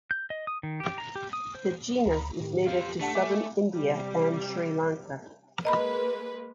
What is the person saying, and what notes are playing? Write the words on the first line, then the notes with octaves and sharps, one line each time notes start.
The genus is native to southern India and Sri Lanka.
G6
D#5
D#6
D#3
G4
A#5
G4
D#6
C5
D2 A#5 B5
A2 D#3 G4
F2 F3 F5
A3 D4 F#5 A5
E5 G#5 D6
C3 G3
G#3 A#3 B4 D#5 A#5 B5